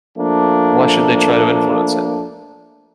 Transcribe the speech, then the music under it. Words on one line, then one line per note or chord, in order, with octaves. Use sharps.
Why should they try to influence him?
F3 A3 A#3 D4